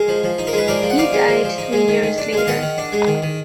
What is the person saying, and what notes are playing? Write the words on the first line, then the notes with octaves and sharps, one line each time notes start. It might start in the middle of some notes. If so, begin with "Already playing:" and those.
He died three years later.
Already playing: G#3 A#4
F3
F3
D#4
A#4
G#3 B4
F3 A#4 D5
F3
F#5
D#4 D5 F5
G#3
F3
F3
D#4
G#3
D#3
D#3
D4
G#3 F5
D#3 D#5 F#5
D#3
D4
G#3
D#3
D#3